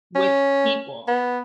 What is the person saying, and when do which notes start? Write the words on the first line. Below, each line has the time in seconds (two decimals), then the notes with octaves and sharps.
with people,
0.15 C#4
1.08 B3